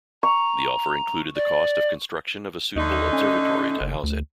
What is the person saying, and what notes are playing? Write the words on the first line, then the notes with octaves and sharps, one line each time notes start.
The offer included the cost of construction of a suitable observatory to house it.
A#5 C#6
D5
D#2 D3 A3 D#4
C#4
F#1
D2